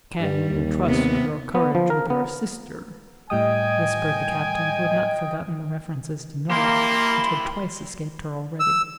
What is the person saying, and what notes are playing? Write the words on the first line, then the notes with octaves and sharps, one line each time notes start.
"Can you trust your courage with your sister?" whispered the captain, who had not forgotten the references to Norah which had twice escaped her already.
G2 G3
D#2
C3 B3
B3
F3
A#4
B3
A2 G3 D#5 G5 G#5 D#6
A#3 E4 G4 C6
E6